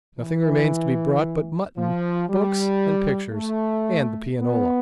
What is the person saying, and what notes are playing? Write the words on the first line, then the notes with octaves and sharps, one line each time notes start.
Nothing remains to be brought but mutton, books and pictures, and the pianola.
E3
F3
G3
A3
B3